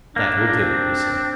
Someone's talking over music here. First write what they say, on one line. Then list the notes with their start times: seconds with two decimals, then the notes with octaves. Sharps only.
That will do, he said.
0.16 A#3 D4
0.37 A#3
0.48 D4
0.60 C4